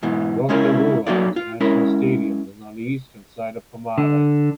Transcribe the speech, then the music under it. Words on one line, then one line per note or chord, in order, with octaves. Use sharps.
Rotorua International Stadium is on the eastern side of Pomare.
G#2 B2 E3
C#3 G#3 C#4 E4 F4 A#4
F#3 A#3 D#4 F#4 A4 D5
F4
G#3 C#4 E4 A#4
D3